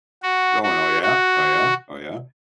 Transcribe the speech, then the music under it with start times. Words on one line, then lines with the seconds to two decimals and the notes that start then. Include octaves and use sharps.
going, "Oh, yeah, oh, yeah, oh, yeah."
0.23 F#4
0.63 F#4
1.02 F#4